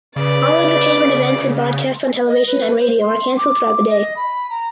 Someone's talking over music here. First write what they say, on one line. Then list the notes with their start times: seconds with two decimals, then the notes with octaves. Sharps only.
All entertainment events and broadcasts on television and radio are canceled throughout the day.
0.16 C#3 B4 D5
2.27 D#5
2.46 B4
2.79 C5
3.00 C6
3.37 D6
3.88 D#5
4.16 B5
4.49 A#5